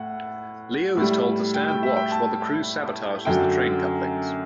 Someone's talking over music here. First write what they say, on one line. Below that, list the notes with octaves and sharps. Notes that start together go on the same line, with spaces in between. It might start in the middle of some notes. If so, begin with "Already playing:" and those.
Leo is told to stand watch while the crew sabotages the train couplings.
Already playing: A2 F#5
A2 G3
G5
G5
E5
G5
A5
F#2 D3 F#3 G5